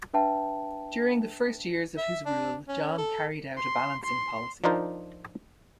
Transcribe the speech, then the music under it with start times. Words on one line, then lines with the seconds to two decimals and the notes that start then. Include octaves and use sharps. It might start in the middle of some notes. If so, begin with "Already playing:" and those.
During the first years of his rule John carried out a balancing policy.
0.14 D4 B4 E5 G5 A5
1.98 E5
2.26 D4
2.68 C#4
2.98 A4
3.57 C6
4.04 C6
4.64 F3 D4 D#4 F4 A#4 C5